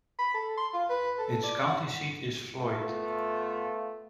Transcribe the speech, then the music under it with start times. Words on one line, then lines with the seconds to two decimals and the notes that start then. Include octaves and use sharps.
Its county seat is Floyd.
0.19 B5
0.34 A4
0.57 C6
0.74 F4
0.89 B4
1.19 A4
1.43 D5
1.67 F#5
2.58 A3 B3 F4